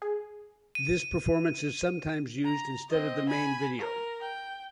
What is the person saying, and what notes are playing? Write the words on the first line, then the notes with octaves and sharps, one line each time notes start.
This performance is sometimes used instead of the main video.
G#4
D#7
A#5
C4 D#5
G#5 B5
A#4
G5